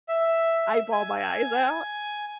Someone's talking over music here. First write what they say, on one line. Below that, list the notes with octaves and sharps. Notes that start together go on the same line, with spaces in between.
I bawl my eyes out.
E5
G#5